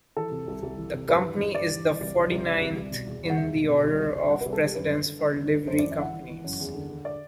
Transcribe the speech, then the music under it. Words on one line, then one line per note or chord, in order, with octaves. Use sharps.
The Company is the forty-ninth in the order of precedence for Livery Companies.
E3 A4
C3
C2
C2
E3
C3
G2 B4
E3
G2
G2 D5
E3
E3
C2
C2
C2
C3 D5
C2
C2
B2
E2
E2
F#5
E2 E5
B2
B2
C2
C2
C2
C2 F#5
C2 B4
A4
C2 G4
F#2 B4
D3
D3
D3
D3
D3
F#2 C5
E3 D5
E5
E3 F#5
E3
E3
F#2
E2
D3
D3
D5